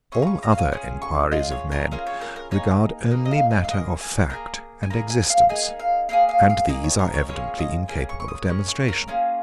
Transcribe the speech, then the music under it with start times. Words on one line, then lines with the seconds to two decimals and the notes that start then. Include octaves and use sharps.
All other enquiries of men regard only matter of fact and existence; and these are evidently incapable of demonstration.
0.12 C#4 F4 G#4 C#6
0.22 A#5
0.27 C#6
0.43 A#5
0.52 F5
0.58 G#5
0.72 C#4 F4 G#4
1.02 C#6
1.31 C#4 F4 G#4 D#5
1.51 C#5
1.72 A#4
1.91 C#4 F4 G#4 A#4
2.07 C#5
2.21 A#4
2.36 A#4
2.51 A#3 D#4 G#4 C#5
3.11 A#3 D#4 G#4
3.25 D#5
3.31 F5
3.51 G#5
3.64 F5
3.71 A#3 D#4 G#4 D#5
4.01 G#5
4.30 A#3 D#4 G#4 A#5
4.83 G#5
4.90 A#3 D#4 G#4 A#5
5.10 G#5
5.30 F5
5.49 A#3 D#4 G#4 G#5
5.79 F5
6.09 A#3 D#4 G#4 F5
6.29 F5
6.50 F5
6.68 A#3 D#4 G#4 D#5
6.84 C#5
6.99 A#4
7.13 C#5
7.29 A#3 C#4 F4 G#4 C#5
7.59 D#5
7.88 A#3 C#4 G#4 G#5
8.09 C#6
8.20 C#6
8.28 D#6
8.48 A#3 C#4 G#4 C#6
8.68 C#6
8.88 A#4
9.08 A#3 C#4 F4 G#4